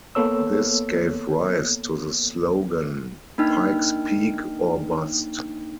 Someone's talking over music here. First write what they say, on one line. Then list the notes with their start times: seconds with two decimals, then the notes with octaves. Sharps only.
This gave rise to the slogan, Pike's Peak or Bust.
0.15 A#3 B3 A4 C#5 E6
3.38 A#3 D4 D#4 G5 F6